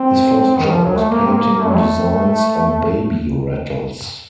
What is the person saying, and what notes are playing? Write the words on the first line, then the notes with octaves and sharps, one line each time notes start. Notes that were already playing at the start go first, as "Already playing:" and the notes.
His first job was painting designs on baby rattles.
Already playing: C4
D#3
F3
F#3
A3
A#3
C4
A#3
A#3
A3
F#3
A3